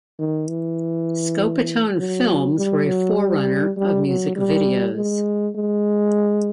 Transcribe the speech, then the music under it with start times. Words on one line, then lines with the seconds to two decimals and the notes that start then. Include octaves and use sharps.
Scopitone films were a forerunner of music videos.
0.19 D#3
0.49 E3
1.98 F#3
2.57 G3
2.87 F#3
3.17 G3
3.77 G3
4.07 F#3
4.36 G3
4.95 G#3
5.55 G#3